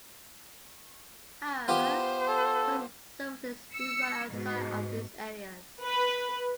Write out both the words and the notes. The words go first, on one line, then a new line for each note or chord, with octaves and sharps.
However, some services do run outside of these areas.
B3 F4 G4 C5
A4
E6 C#7
G#2 B2
B4